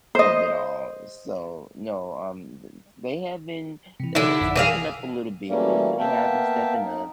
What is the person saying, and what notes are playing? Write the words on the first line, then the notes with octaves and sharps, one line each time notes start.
of it all. So, no, um, th they have been they've been stepping up a little bit. They they have been stepping up.
C5 D#5
C3 E3
D3 D#4 E4
A1 F2 B6
E3 G#4 A#4 F5 G5
E3 F#3 G3 A3 A#3 C#4
A#3 B3 E5 F5 G5 A5
D#4